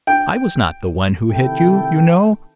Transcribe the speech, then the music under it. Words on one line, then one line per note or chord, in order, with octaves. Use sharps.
I was not the one who hit you, you know.
G5
C3 D#3 E4 A4 G5